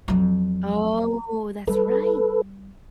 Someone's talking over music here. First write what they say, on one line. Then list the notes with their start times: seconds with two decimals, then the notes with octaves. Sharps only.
Oh, that's right.
0.08 F2 F#3
1.67 G3 A4 B4